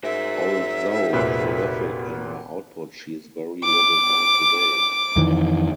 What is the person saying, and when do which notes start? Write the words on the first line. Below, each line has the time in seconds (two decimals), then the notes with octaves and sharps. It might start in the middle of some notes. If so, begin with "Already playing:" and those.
Although prolific in her output she is very little known today.
0.04 G#2 F#4 A#4 E5
1.13 F1 A#2 B4
3.64 D6
5.16 F2 D#3 E3